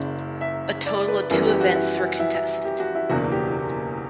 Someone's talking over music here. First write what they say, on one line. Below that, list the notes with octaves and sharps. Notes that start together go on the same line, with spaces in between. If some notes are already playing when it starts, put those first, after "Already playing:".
A total of two events were contested.
Already playing: F#1 F#2 C#3 D5
E5
D5
B4
F#2 E3 G3 B3 A#4
G4
F#4
E4
F#4
E4
E4
G4
F#4
E4
F#1 E2 B2 A#3 D4 F#4
G4